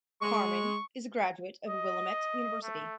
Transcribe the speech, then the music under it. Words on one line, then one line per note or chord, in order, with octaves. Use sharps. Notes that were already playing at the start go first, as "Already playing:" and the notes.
Carman is a graduate of Willamette University.
G#3 C#6
D#5
A3